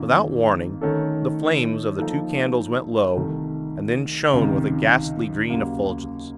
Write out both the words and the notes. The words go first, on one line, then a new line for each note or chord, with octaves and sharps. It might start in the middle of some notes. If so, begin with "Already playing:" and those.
Without warning, the flames of the two candles went low, and then shone with a ghastly green effulgence.
Already playing: F2 D#3 A#3 F4
D#3 A3 C#4 A4
F3 A#3 D#4 A4
C2 C3 D#3 A3
C#2 C3 D#3
D#2 C#3 F#3 A#3